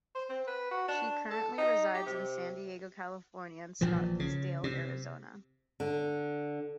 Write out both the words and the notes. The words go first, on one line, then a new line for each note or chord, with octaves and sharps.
She currently resides in San Diego, California, and Scottsdale, Arizona.
C5
C4
B4
F#4
D4
A4
D#4
G4
C3
A#1 A#2 E3 F3
C#3
C3
D3